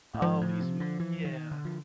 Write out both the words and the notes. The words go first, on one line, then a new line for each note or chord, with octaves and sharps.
Oh, he's m yeah.
A2
G#2 F3
A2
C3
D3
E3
D#3
D3
F3